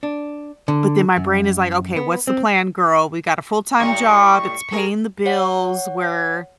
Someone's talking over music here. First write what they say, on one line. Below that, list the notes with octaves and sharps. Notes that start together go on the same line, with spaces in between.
But then my brain is like, "Okay, what's the plan, girl? We got a full-time job, it's paying the bills, we're
D4
D3
F#2
B3
C4
A2 G3 D#5 C#6
G#4 A#4
C#5 F#5